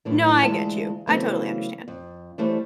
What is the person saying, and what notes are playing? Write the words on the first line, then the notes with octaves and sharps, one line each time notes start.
no, I get you, I totally understand.
F#2 A2 E3
D2 E3 G#3 F4 A5
C#3 E3 F#3 A3 B3 C4
F2
E3 G3 A3 C5 C#5